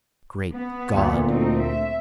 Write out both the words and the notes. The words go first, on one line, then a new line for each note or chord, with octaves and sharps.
Great God!
B3
D2 A#2
A3 C4 D#4
E5